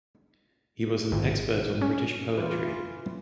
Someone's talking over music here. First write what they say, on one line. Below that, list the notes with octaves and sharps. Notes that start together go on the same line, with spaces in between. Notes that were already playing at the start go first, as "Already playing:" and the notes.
He was an expert on British poetry.
G#1
C#4
E3 F4 B4